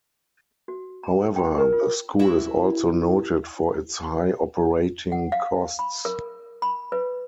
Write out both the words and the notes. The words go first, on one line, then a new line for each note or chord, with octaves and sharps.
However, the school is also noted for its high operating costs.
F#4
A#5
G5
A#4
F4
E4 F#4
F#5
F5
B5
A#4
B5
B4